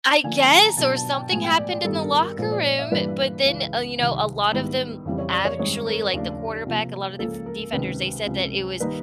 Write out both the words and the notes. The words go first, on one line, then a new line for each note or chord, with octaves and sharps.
I guess, or something happened in the locker room, but then Oh, you know, a lot of them actually, like, the quarterback, a lot of def defenders, they said that it was
D3 F3 A#3 G#5
A5
A5
A#5
B2 F#3 B3 D4 A5
A5
G5
A2 F3 G#3 B3 G#5
G5
D5
D5
G2 D#3 G3 B3 D#4 A4
A#4
A#4
A#2 F3 G#3 C5
D5
E5
G2 E3 G3 A#3 D4 B4
C#2 C#3 E3
C2 C3 D#3
G#2 D#3 G3 B3 E4
F2 C#3 E3 G3 C4
C#5
D5
C#5
G2 D#3 G#3 C4 D#4 C#5
A#4
D#2 C#3 F3 A3 D4
C3 F3 A#3
C#2 C#3 F3 A#3 A4
A#4
C#2 C3 D#3 G#3 B4
C#2 C3 F3
D#3 G3 A#3 D#4 B4